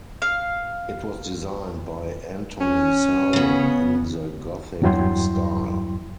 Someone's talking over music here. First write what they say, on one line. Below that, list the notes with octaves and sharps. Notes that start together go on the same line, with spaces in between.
It was designed by Anthony Salvin in the Gothic style.
F5
C#4
C#3 B3
E2 G2 F#3 E4 G5 C6